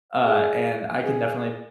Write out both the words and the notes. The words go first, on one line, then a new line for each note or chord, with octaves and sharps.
uh, and I can definitely
G#4
G#4